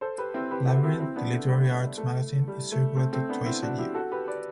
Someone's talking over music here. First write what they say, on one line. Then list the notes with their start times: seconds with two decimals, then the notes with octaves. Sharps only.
"Labyrinth," the literary arts magazine, is circulated twice a year.
0.01 A4 C5
0.18 G4 B4
0.34 C4 E4
0.51 G4 B4
0.67 F#4 A4
0.83 C4 E4
1.00 C4 E4
1.16 B3 D4
1.33 A3
1.49 G3 B3
1.98 A3
2.48 G3
2.72 A3
2.96 A3 C4
3.13 A3 C4
3.29 B3 D4
3.46 C4 E4
3.62 D4 F#4
3.78 E4 G4
3.94 F#4 A4
4.11 G4 B4
4.28 B4 D5